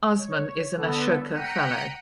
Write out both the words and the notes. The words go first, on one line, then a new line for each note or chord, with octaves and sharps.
Usman is an Ashoka Fellow.
C#5
D3 B3 A4
F#5 G5 A#5 B6 C#7 D#7